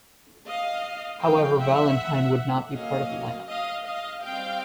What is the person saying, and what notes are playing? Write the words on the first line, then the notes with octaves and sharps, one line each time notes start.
However Valentine would not be part of the lineup.
D#5 F5
F3 A3 C4 F5 G5
E5 F#5
F#3 A#3 C#4 D#5 F5
D#5 F5
D#5 F5
G3 C4 F5 G5